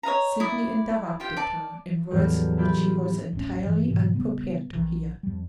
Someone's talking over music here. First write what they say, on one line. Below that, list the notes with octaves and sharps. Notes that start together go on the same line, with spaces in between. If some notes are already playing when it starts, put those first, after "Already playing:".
Sydney interrupted her, in words which she was entirely unprepared to hear.
C#5 D#5 F5 A#5
E4 D5 D#6
F4 G4 G5
D5 A5
E2 A2 E3 F#3 G3
E4 F4 G4 E5 B5
D#1 A1 C#4
G2 E3
G#2 B2 E3
A#2 C#3 G3 B3
A#1 D#3 E3
F2 G3